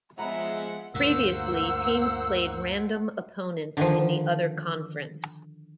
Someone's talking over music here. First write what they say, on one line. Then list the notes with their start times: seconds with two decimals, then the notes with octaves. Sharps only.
Previously, teams played random opponents in the other conference.
0.18 F3 G#3 B3 C#5 E5 F#5 A#5 B5
0.94 D2 G2 A#2 A#3 C5 F#5 E6
3.77 D3 D#3 F3